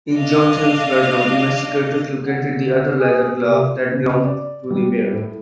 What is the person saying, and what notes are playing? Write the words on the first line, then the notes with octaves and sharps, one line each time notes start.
In Johnson's bedroom investigators located the other leather glove that belonged to the pair.
D4 D#5 F5
D3
G#4
C3
C#3
D5
G3
A2